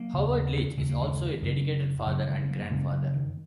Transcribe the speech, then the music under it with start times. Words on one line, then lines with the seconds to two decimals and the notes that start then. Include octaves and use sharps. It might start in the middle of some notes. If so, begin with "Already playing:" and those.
Howard Leach is also a dedicated father and grandfather.
Already playing: F#3 A#3
0.14 D#2 C#3
0.77 D#2 C#3 G#3
0.89 A#3
1.02 D#3 G#3
1.42 F#2 C#3
2.06 F#2 C#3 F#3
2.28 D#3 G#3
2.44 C#4
2.49 F#3 A#3
2.70 F#2 C#3 G#3 C#4
2.92 F#3
3.14 D#3